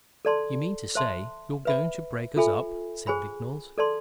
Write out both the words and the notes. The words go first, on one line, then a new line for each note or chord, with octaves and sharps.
"You mean to say you're going to break us up," said Vignolles.
A4 D5 A5 C6
C5 E5 A5 C6
B4 E5 B5
F4 A4 E5 G#5 B5
G#4 C5 G#5 B5
A4 D5 A5 C6